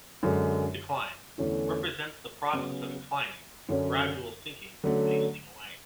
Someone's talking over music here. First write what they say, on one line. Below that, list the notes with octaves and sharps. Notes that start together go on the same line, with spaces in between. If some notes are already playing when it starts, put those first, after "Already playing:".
"Decline" represents the process of declining, a gradual sinking and wasting away.
F#2 D3 G#3
E2 D3 A3 C#4 E4
C#3 F#3 B3
F#2 D3 F#3 C#4
D3 F#3 A3 C#4